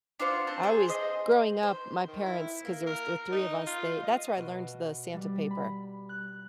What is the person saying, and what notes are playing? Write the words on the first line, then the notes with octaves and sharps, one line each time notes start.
I always Growing up, my parents 'cause there was th three of us, they that's where I learned the Santa paper.
D4 F4 C5 F#5
C4 C5 A5
G#4 C5
C5 D#5
C5
D#3
E4
A#3
A#4
D#4
F4
D#5
B2
G3
B5
F#6